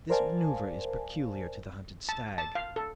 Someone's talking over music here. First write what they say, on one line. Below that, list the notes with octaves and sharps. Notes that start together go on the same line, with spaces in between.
This manoeuvre is peculiar to the hunted stag.
A#4 C5 D5 F5 G#5 A5
A5
A5
F5
A4